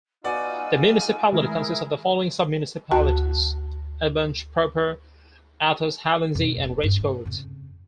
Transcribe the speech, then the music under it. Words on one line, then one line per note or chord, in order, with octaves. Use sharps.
The municipality consists of the following sub-municipalities: Aubange proper, Athus, Halanzy, and Rachecourt.
B3 D#4 F4 F#4 D5 G#5 E6
D#3 G#3 A3 E4 G#4 A#4
D2 F#4 A5
F2 B2
D#1
G2 D4
A3
F2 C#3